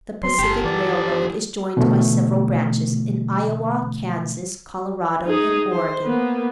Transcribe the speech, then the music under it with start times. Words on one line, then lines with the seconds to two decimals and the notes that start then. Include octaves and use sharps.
The Pacific Railroad is joined by several branches in Iowa, Kansas, Colorado, and Oregon.
0.23 F#3 C6
0.39 F#1 G4 A4
0.65 E3 D5
1.77 B2 D3 E3 A3
5.26 D#4 G#4
5.71 C5
6.04 A#3 B3